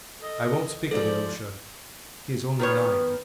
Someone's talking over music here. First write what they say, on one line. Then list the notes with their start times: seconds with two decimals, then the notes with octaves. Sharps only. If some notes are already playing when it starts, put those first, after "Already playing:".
I won't speak of Ilusha, he is only nine.
0.19 A4 D#5
0.91 G#2 F3 A4 D5
2.59 D#3 B3 C#5